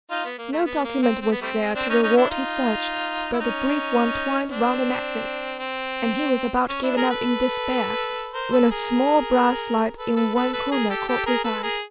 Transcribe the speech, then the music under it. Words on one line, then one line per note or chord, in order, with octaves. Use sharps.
No document was there to reward his search, but the brief one twined round the necklace; and he was about giving up in despair, when a small brass slide in one corner caught his eye.
D#4 F4
B3
A#3
A3
B3
A#3
C4
C4
B3
G3 A3 C4
C4 D4
C#4 D#4
C#4 D#4
D4 E4
D#4 F4
E4
C#4 D#4
C4 D4
C4
C#4
D4 E4
G#4 A#4
A4 B4
A#4 C5
A4 B4
G#4 A#4
A4 B4
A4 B4
A4 B4
A4 B4
G#4 A#4
G4 A4
G4 A4
G#4 A#4
A4 B4
G#4 A#4